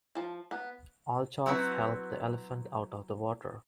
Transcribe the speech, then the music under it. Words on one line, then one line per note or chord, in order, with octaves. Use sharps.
Althoff helped the elephant out of the water.
F3 A5
B3
F#3 C4 E4 F#4 G4 B4